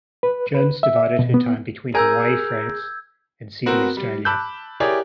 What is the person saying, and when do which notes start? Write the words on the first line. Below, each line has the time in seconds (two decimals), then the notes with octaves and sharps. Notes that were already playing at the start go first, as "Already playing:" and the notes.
Jones divided her time between Hawaii, France and Sydney, Australia.
0.23 B4
0.54 B4
0.83 E5
1.19 B2
1.34 B3
1.95 G#4 A#4 E6 G6 G#6
3.66 B3 C4 F#4 A#4
3.97 G3
4.25 A5 B5 D6 E6 F#6 G6
4.80 E4 G4 G#4 A#4 C#5 D5